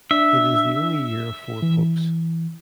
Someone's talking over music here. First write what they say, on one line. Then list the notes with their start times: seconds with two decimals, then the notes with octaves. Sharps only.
It is the only Year of Four Popes.
0.11 D4 E5
1.62 E3